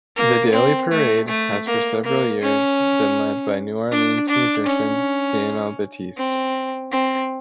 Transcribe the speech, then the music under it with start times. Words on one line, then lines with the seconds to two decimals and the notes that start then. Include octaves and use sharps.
The daily parade has for several years been led by New Orleans-musician Lionel Batiste.
0.16 A#3
0.53 C4
0.91 A3
1.28 A3
1.66 A#3
2.04 A#3
2.41 C#4
3.92 D4
4.29 D4
4.66 C#4
6.17 C4
6.92 C4